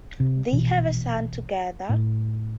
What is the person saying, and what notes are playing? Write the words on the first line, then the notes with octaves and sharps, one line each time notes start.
They have a son together.
C3
A#1 B2 E3
A2